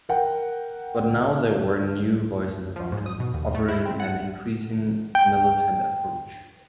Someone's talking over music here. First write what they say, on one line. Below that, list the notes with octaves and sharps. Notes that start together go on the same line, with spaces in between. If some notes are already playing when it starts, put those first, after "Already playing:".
But now there were new voices around him, offering an increasing militant approach.
A#4 F#5 G5
F3
G#2
D#6
B2
D#2
A3
E4
C4
F#5
G5